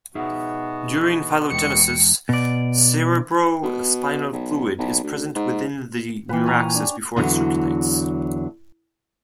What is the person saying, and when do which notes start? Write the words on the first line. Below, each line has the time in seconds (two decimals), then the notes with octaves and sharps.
During phylogenesis, cerebrospinal fluid is present within the neuraxis before it circulates.
0.15 B2 B3 D#4 F#4 G#4 E5
1.51 E2 G#3 G5 C#7
2.29 B2 D5
3.63 B2
4.33 B1
4.78 B1
5.03 D2
5.36 G#2
6.29 A#2 E3 B4 G5
6.45 C#5 G#5 A#5
6.75 D4
7.16 E2 D3 F#3